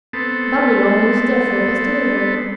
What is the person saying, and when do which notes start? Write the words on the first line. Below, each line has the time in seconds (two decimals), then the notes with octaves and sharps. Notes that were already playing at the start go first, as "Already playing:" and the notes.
Barillon was therefore passed over.
0.13 B3 C4 A4